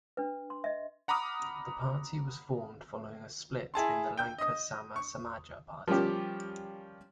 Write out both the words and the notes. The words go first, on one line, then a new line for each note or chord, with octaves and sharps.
The party was formed following a split in the Lanka Sama Samaja Party.
D4 B4
C6
D#5 E5
F#5 A#5 B5 D6 D#6 F6
E4 G#4 A5 C6
G5 G6
D#5 D#6
C#6
F3 G3 A#3 C#4 F4 G4